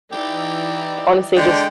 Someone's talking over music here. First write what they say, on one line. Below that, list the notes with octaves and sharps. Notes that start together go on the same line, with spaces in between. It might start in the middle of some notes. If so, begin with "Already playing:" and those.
honestly, just
E3 D#4 G4 D5
D3 G#3 D4 G5